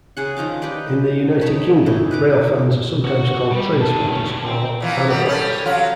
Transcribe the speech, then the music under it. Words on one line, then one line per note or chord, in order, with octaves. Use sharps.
In the United Kingdom, railfans are sometimes called trainspotters or "anoraks".
C#3 G#4 F#5
D#3 F3 A#5 D6
D#4 G4 B4 D5
D#4 C#5 A5 B5
E3 D#4 E4
B4 A#5 D6
F#4
G3
D#3 A5
A3 C#4
D3
G5 C6
C3 E3 F3
F#2 G3 B3
G3 C#4 A4
F3 F#3 F4